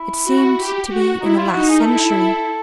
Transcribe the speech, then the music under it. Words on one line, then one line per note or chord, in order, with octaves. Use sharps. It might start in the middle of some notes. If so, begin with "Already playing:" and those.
It seemed to be in the last century.
Already playing: E4
F#4
G4
F#4
D#4 E4
F4
D#4 F#4
G#4
A#4
E4 A4